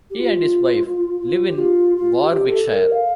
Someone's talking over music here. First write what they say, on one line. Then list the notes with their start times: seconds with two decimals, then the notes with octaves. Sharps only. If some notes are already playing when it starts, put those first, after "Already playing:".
He and his wife live in Warwickshire.
0.11 G4
0.19 F4
1.21 F4
1.46 G4
1.58 F4
1.97 F4
2.22 G4
2.47 A4
2.71 A#4
2.92 F5